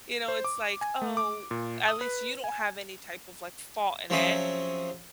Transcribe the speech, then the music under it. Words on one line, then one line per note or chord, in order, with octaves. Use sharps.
you know, it's like, "Oh, at least you don't have any type of, like, fault in it."
C5
D6
G#5
A3
D6
A#2
D#6
B4
G#5
F3 F#3 C4 C#4 G#4 E5